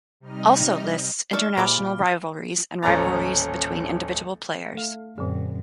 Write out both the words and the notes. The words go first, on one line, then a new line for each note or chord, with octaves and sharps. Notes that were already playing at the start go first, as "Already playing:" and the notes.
Also lists international rivalries and rivalries between individual players.
C3 G3 D#4 D#5 F6
D#4 C#5 D5 E5 A5 F6
A#2 G3 G#3 C5 D5 B5 D6
D#1 A1 C#4 A4 A#5 A6
A3 F5
F#2 A#2 D3 C4 G#4